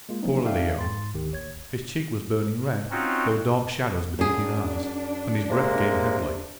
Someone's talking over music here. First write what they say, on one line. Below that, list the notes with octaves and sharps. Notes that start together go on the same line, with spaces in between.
Poor Leo! his cheek was burning red, there were dark shadows beneath his eyes, and his breath came heavily.
G#3 A#3 F4
F3 F#3 A#3 C4 D4 D#4
D#4 A4 D5 E5 F5 G5
G#2 C6 A6
D2 D#3 G4
A1 D#2 C#5 G#6
C4 C#4 D#4 F4 F#4
F#2 D4 G#4
C3 G#3 A#3